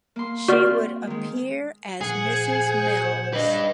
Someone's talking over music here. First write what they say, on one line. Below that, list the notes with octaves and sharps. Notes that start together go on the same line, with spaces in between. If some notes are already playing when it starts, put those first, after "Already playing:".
She would appear as "Mrs Mills".
A#3 C6
F#4 D5 F6
C4
D#3 G#3
A#2 F3 A3 G#4 F#5 G#5
C5
D4 B4 D#5